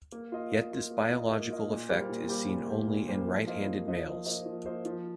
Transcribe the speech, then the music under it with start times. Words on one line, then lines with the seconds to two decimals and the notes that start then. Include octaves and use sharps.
Yet this biological effect is seen only in right-handed males.
0.12 A#3
0.32 F4 D#5
0.52 A#3
0.71 F4 D#5
0.91 A#3
1.10 F4 D#5
1.30 A#3
1.50 F4 D#5
1.70 A#2
1.90 G3 A#3 G4 C5
2.09 A#2
2.29 G3 A#3 G4 C5
2.49 A#2
2.69 G3 A#3 G4 C5
2.88 A#2
3.08 G3 A#3 G4 C5
3.28 F3
3.47 A#3 F4 C5 D#5
3.67 F3
3.87 A#3 F4 C5 D#5
4.06 F3
4.26 A#3 F4 C5 D#5
4.46 F3
4.65 A#3 F4 C5 D#5
4.85 F3